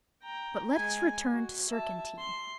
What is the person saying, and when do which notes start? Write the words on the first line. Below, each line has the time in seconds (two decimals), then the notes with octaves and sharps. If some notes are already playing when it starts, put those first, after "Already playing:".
But let us return to Surcantine.
0.22 G5 A#5
0.74 G#3 G#5
1.32 F#4
1.69 E5 A5
2.18 C6